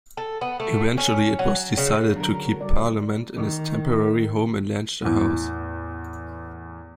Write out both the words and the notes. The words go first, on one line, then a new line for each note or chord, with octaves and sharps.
Eventually it was decided to keep parliament in its temporary home in Leinster House.
A4
B3
A3
C#4
F#3
C#3
D3 F#3 D4 A#4
G3 F#4 D5
D#3
E2 A2